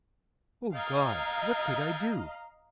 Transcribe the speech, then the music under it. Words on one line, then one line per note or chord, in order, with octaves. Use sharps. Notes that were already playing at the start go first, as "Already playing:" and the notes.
Oh God! what could I do?
A4 D#5 F5 G5 G#5 A#5